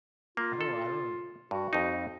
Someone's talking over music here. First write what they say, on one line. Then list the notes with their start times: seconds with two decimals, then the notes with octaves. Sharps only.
I don't I run
0.37 A#3 F4
0.61 A4
1.51 G2 F#4
1.73 F2 D#4